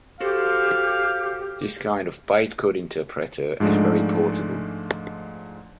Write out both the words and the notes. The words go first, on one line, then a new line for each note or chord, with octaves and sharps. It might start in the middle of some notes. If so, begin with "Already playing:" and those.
This kind of "bytecode interpreter" is very portable.
F#4 G4 A4 C5 F5
G#2 F3 G#3 A3 D4